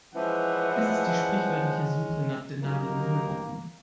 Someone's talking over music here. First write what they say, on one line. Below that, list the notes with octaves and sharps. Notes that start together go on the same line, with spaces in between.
Es ist die sprichwörtliche Suche nach der Nadel im Heuhaufen.
E3 F3 G#3 C#4 F#5
F#2 A#3 D#4 G4 A#4